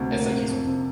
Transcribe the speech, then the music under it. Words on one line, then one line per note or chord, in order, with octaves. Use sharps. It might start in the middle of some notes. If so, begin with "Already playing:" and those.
It's like you s
Already playing: D2 C3
A#3
C3
F2
C3